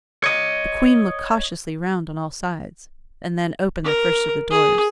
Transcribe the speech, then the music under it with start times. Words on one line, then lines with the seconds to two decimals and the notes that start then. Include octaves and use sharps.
The Queen looked cautiously round on all sides, and then opened the first of the doors.
0.24 C#5 D#5
3.84 A#4
4.50 G#4